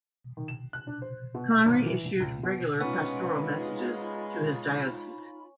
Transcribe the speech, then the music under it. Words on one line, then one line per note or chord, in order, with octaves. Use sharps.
Conry issued regular pastoral messages to his diocese.
D#3
E7
F#6
D4
C5
B2
E5
G#1
E3
A#1
C#2
B2
G#3 B3 C#4 D#4 F4 B5